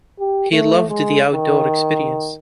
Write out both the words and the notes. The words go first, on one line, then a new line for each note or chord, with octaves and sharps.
He loved the outdoor experience.
G4
A3
G#3
D#3